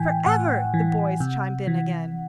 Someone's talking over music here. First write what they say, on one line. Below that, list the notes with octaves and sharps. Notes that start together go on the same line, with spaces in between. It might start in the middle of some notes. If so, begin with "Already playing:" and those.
"For ever!" the boys chimed in again.
Already playing: A2 E3 G5 G#5
A2 F#5
E3
C3
E3